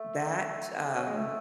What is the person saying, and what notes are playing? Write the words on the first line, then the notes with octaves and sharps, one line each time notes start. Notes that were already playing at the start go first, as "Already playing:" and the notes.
that, um,
Already playing: A3
F#3
G#3
A3